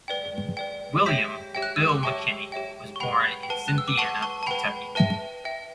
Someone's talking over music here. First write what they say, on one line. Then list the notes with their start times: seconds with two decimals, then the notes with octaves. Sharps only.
William "Bill" McKinney was born in Cynthiana, Kentucky.
0.08 B4 D5 G5
0.57 B4 D5 G5
1.06 G4 C#5 E5 G5 G6 B6
1.55 G4 C#5 E5 G5
1.62 F#6
1.76 E6
1.89 D6
2.03 G4 C#5 E5 G5 A5 C#6
2.52 G4 C#5 E5 G5
2.96 C#6
3.00 B4 F#5 G5 B5
3.43 G5
3.49 B4 F#5 A5
3.68 F#6
3.78 E6
3.88 D6
3.98 F#5 A5 C#6
4.02 B4
4.23 A5 C#6
4.43 A5
4.46 B4 F#5 G5 B5
4.95 B4 E5 G5 A5
5.44 B4 E5 G5